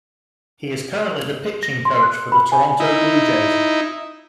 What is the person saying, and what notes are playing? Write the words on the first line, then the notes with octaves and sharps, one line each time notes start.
He is currently the pitching coach for the Toronto Blue Jays.
A#6
C6
F#6
B5
G#5
D#4 E4